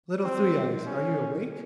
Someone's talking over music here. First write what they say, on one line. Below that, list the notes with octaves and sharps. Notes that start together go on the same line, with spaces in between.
'Little Three-eyes, are you awake?
C4
C#4